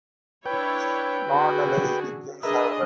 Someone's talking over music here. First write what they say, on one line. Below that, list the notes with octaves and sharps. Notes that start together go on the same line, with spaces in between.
This is not always the case, however.
D4 E4 B4 C#5 G5
D3 F#4 G#4
D4 G#4 A#4 B4 D#5 E5